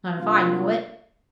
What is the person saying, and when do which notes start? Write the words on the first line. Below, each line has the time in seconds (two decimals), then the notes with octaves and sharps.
Not if I know it.'
0.17 C3 G3 A#3 D4 F4